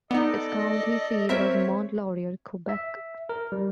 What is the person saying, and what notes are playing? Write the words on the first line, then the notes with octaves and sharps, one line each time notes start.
Its county seat was Mont-Laurier, Quebec.
B3 D#4 A4 D5 D#5
C4 A#4 C#5 E5 B6
E5
A#4
G3